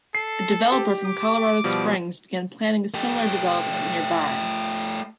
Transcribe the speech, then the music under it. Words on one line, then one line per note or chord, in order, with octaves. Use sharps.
A developer from Colorado Springs began planning a similar development nearby.
A4 C7
G4
D6
B2 F3 G3
A3 G4